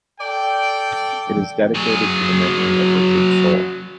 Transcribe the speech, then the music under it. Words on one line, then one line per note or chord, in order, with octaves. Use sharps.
It is dedicated to the memory of Richard Sohl.
A4 D5 G5
F#3 G#4